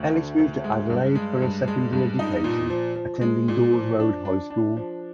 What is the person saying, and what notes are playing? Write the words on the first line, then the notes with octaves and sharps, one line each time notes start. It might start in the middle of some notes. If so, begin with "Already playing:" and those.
Ellis moved to Adelaide for her secondary education, attending Daws Road High School.
Already playing: D2
D3
D2
G#3
G2
G#3
G2
G#3
G2
D#4
A#2
F3
F3
G#3
A#2
F3
D4
D4
D4
F3